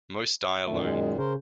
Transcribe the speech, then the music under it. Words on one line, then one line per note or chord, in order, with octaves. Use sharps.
Most die alone.
F#2 A#2 D#3 A3
G#3
C#3 A#4 C5